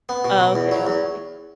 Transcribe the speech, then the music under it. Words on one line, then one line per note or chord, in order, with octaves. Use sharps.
Oh, okay, okay.
B3
B2
B2
E2
F#3
E2